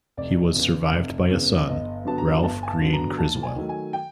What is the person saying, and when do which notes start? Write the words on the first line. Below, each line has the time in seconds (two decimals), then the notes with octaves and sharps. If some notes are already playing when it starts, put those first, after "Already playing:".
He was survived by a son, Ralph Greene Criswell.
0.17 F1 D5
0.55 E2 C#3
0.92 F1
1.31 E2 C#3
1.67 G1 D#5
2.05 G2 D3 F#3 B3 A5
2.18 A#5
2.43 G1 A5
2.63 G#5
2.68 A5
2.80 G2 D3 F#3 B3
2.93 A#5
3.18 D#2 A5
3.43 G#5
3.56 D#3 F#3 A3
3.69 G#5
3.93 G5